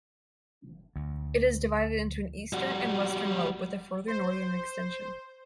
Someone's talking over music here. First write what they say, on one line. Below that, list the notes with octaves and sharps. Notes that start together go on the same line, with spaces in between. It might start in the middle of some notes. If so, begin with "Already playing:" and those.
It is divided into an eastern and western lobe, with a further northern extension.
D2
G3 F#4
C5